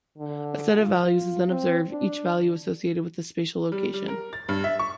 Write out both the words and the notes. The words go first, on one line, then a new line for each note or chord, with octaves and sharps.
A set of values is then observed, each value associated with a spatial location.
D3
F4
C4
D4
G3
G3
A#4
A6
G2
E5
C#6